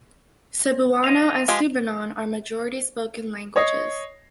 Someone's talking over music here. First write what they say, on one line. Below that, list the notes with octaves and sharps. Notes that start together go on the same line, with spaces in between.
Cebuano and Subanon are majority spoken languages.
D#5 F5
F3 G#3 G4 G#4
C#5 D#5 D#6 A#6 C7